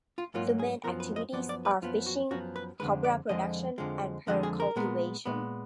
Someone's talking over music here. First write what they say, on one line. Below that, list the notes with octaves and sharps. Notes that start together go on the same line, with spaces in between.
The main activities are fishing, copra production and pearl cultivation.
F4
G#2 F#3 A#3 F4
G#4
F#2 F3 B3 A#4
B4
D#5
F#2 F3 B3 D5
D5
B4
F#2 F3 B3 F4
F#4
F#2 F3 B3 F#4
B4
F2 D3 F3 G#3 B4
D5
F2 D3 F3 G#3 D#5
F2 D3 F3 G#3
F2 D3 F3 G#3 F#5
G#4
A#4
A#2 G#3 B3
A#2 G#3 B3